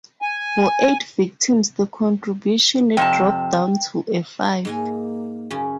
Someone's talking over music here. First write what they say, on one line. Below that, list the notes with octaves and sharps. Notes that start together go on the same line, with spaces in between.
For eight victims the contribution dropped down to a five.
G#5
F2 C3 G5 A5
G#2 A#3 D#4 G#5
F#2 C#3 C#4